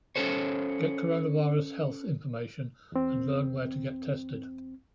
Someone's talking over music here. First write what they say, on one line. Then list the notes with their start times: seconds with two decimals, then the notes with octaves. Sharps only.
Get coronavirus health information and learn where to get tested.
0.16 C#4 E4 A4 C5 C#5
2.92 E2 C4